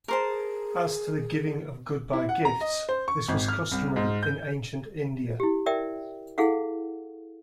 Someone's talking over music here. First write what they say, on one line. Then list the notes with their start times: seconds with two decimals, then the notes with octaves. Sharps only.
As to the giving of goodbye gifts, this was customary in ancient India.
0.08 G#4 A#4 C5 A5
2.13 E4
2.29 F#5
2.45 A#5
2.61 D#5
2.89 C5
3.08 C#6
3.28 G#1
3.48 F6
3.72 C2
3.96 G#2
4.23 G6
5.40 E4 G4
5.66 A#4 D5 E5 G5
6.38 E4 G#4 A4 F5 F#5